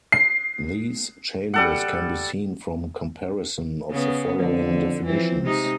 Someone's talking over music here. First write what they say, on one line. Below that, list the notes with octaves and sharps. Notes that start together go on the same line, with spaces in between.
These changes can be seen from comparison of the following definitions.
C7
G3 A4 F#5
C#3 B3
F2 D3
E3 F3 C4
C3 G#3 D#4